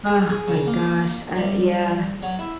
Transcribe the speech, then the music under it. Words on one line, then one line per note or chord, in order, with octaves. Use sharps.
Ugh, my gosh, uh, yeah.
G#4
G#4
C#3
A#3
G3
F#3
E4